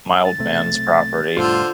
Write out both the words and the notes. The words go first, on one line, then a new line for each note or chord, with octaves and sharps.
my old man's property
A6
B1 C3 A3
F1 A2 D3 G3 F4 C5